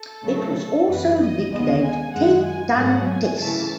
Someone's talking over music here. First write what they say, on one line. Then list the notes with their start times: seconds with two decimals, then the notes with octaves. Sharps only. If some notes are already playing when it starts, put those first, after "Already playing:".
It was also nicknamed "Ten ton Tess".
Already playing: A4
0.24 C#3 F#3 A3
0.87 F#2 E3 B3 B4
1.20 D#5
1.50 D#2 C#3 G#3 B3 D#5
1.82 G#5
2.13 F#2 D#3 G#3 F#5
2.44 G#5
2.76 G#2 F#3 A3 C#4 F#5
3.07 G#5
3.39 C#3 E3 A3 A5